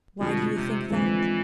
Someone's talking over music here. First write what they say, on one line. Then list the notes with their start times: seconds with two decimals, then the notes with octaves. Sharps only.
"Why do you think that?"
0.19 F1 F2 B2 D3 F3 G#3
0.54 C3
0.90 F1 F2 D3 E3 F3 G#3